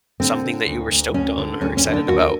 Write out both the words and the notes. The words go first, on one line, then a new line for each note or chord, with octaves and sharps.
something that you were stoked on or excited about?
D3 C4
D3
D2
D2
D2 C#4
D3
D2 C#4
C#4
D3
D4
D#2 F#4